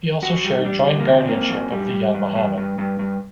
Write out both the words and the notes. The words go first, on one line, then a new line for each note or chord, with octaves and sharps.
He also shared joint guardianship of the young Muhammad.
F#2 F#4
G3
D#4
G3 D4
D3
A#3
F#2 C4
A#3
F#2
G3
G2
G2
G2
G2
G2
G2